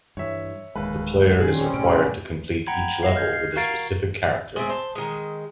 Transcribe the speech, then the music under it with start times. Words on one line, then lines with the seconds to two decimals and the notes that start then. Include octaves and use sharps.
The player is required to complete each level with a specific character.
0.17 G2 E3 C#5 E5
0.76 D1 D#2 G#3 B4
1.40 A#2 D#3 G3 C4 C#4 G#4
1.74 A2 C3 D7
2.67 F#5 G5 A#5 B5 G#6
3.03 D#5 F5
3.16 F6 G6 G#6
3.33 C7
3.56 F#4 A#4 F5 A#5 A6 D7
4.56 G#3 A3 C4
4.69 C5 A5
4.95 D#3 G#3